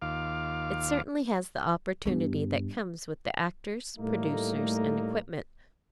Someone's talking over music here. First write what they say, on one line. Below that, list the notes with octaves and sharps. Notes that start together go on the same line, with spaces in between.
It certainly has the opportunity that comes with the actors, producers, and equipment.
D#2 F4 F5 D6
G2 B3
A2 G3 A3 A#3 D#4